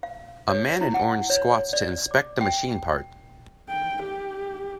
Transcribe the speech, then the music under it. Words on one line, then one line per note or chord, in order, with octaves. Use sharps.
A man in orange squats to inspect a machine part.
F5
C#5
E4
F#5
C#5
D5
D5
D6
G5
G5
G4